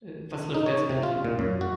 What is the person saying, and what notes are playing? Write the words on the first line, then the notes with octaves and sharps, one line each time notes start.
Was läuft derzeit im Kino?
D#4
C#5
C3
F4
A#2
F#2
F#4